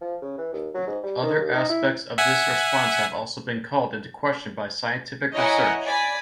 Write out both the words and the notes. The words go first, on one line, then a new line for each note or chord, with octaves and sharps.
Other aspects of this response have also been called into question by scientific research.
F3
C#3
E3
D#2
F#3
G#2
G3
D#3
D#2
D#4
E4
E5 F#5 G#5
E4 C#5 D#5 F#5 G#5 A#5
D5 G#5 B5